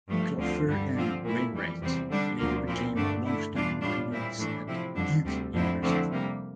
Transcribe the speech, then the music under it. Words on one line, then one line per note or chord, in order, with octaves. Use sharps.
Klopfer and Wainwright later became longtime colleagues at Duke University.
G2 F3 A3
D2 D3 F3 C4 F4
G2 D3 G3
D3 F3 C4 F4
A#2 A3 E4
F2 E3 G3
E2 C3 G3 C4
D3 G3 D4
D2 D3 F3 A#3 F4
A#2 F3 C4 E4
G2 D3 A3 D4
D3 A3 E4
E2 E3 G3 D4 F4
A2 G3 D4 F4
A#2 G3 C4 E4
A2 E3 A3 D4
C3 F3 C4 E4
F2 D3 G3 D4
D2 C3 G3
F2 D3 F3 C4 E4
D3 F3 A3 C4 E4
C3 G3 A#3